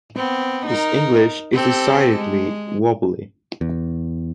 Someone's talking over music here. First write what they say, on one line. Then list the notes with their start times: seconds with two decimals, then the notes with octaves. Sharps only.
His English is decidedly wobbly.
0.16 B3 C4
0.67 D#4 A#4
1.53 C4 G4 A4
2.17 G#3
3.61 E2